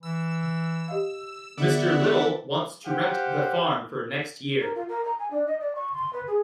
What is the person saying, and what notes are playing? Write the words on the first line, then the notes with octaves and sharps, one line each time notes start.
Mr. Little wants to rent the farm for next year.
E3 E6
G4 D#5 F5
D3 B3 G#4 D5 E5 F#5
G4 C5 F5 F#5
A#4
F4
A#4
A#5
G#5
D4
D#5
D5
C#6
C6
B4
G#4